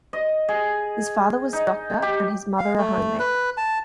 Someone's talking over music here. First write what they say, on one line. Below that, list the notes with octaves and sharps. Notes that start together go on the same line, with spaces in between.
His father was doctor and his mother a homemaker.
D#5
G#4
D#4
G4
F5
A3
B4
A5